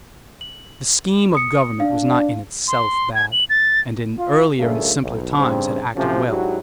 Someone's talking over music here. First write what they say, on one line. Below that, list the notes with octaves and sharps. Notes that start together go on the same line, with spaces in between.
The scheme of government was not in itself bad, and in earlier and simpler times had acted well.
F#7
D#6 C#7
D4 F5
C6
G#6
F#7
A6
F4
G2 A#2 C#3 F3 A3 A#3
B1
G2 C#3 C4
C3 F3 F#3 A3 C#4
G#2 F#3 D4 E4 F#4 G4